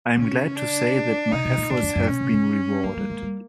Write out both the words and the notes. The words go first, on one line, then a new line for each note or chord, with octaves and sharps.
I am glad to say that my efforts have been rewarded.
C#3 C#4
D4
C3 D#4
B2
A#2
A2 D4
F2
F#2
B2 C#4
C3
C#3
F#3 A#3
G3
G#3
G3